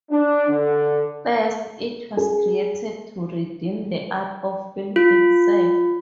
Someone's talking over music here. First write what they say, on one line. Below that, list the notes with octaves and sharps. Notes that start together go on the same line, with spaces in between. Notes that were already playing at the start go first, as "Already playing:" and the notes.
First, it was created to redeem the art of film itself.
D4
D3
G#4
F4